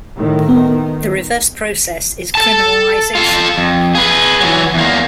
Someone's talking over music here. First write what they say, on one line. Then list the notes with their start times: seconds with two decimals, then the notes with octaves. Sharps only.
The reverse process is criminalization.
0.15 A2 D#3
0.49 D#3 B3
2.35 A4 A5
3.15 F4 A4
3.58 F2
3.95 G#4 B4
4.41 E3 F#3
4.74 E2 A#3